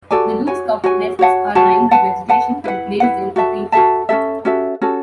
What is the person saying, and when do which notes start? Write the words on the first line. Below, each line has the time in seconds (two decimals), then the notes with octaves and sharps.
The loose cup nests are lined with vegetation and placed in a tree fork.
0.11 F#4 A4 D5 G#5
0.47 F#4 C#5 G#5
0.84 F#4 C#5 G#5
1.19 F#4 C#5 F#5 A5
1.55 F#4 C#5 F#5 A5
1.91 B4 F#5 A5
2.29 B4 F#5 A5
2.64 E4 B4 F#5
3.00 E4 B4 F#5
3.36 F#4 A4 E5 A5
3.72 F#4 A4 E5 A5
4.09 C#4 F#4 A4 E5
4.45 C#4 F#4 A4 E5
4.81 C#4 F#4 A4